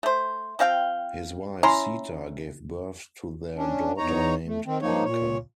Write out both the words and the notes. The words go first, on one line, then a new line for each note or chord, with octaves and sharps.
His wife, Sita, gave birth to their daughter named Parker.
A3 C5
F3 C4 F5 G5
C#4 E4 A#5 C6
C#4 D4
E2 D#4 C#5 A#5
A3
D#3 C4
F3 A#3 D#4 C#5
A#2 C#5